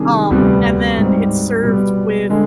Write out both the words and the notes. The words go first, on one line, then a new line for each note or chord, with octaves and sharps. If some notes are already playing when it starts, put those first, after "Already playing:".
Um, and then, it's served with
Already playing: C3 D#3 G3 D4 G#4
D2 C3 G3 B3
G#2 G3 C4
B2 G3 B3
D3 G#3